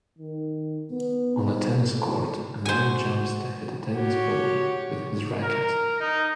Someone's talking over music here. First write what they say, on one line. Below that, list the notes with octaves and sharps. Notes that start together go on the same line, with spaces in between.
On a tennis court, a man jumps to hit a tennis ball with his racket.
D#3
B3
G#2
A2
F#4 C5 G#5
F#4 G4 C#5
A#4
D#4